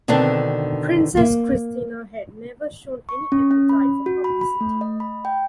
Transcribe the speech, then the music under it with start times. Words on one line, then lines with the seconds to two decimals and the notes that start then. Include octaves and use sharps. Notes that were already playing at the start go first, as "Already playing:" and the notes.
Princess Christina had never shown any appetite for publicity.
0.08 B2 D3 D#3 C4 D4
1.17 A#3
3.09 C#6
3.32 C#4
3.51 C#4
3.69 B5
4.06 F#4
4.24 B5
4.41 B5
4.61 A3
4.81 D#5
5.00 B5
5.25 G5